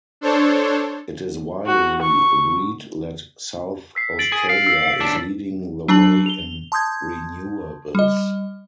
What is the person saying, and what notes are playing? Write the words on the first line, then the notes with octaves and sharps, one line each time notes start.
It is widely agreed that South Australia is leading the way in renewables.
D4 A4 C5 C#5
F#4
C#6
E6 B6 C7
A6 D7 F#7
G#4
F5
E6 A#6 C#7
B1 D4
F#3 D4 A5 F#7
F7 G7
A5 C6 D#6 G6 G#6
G3 D#5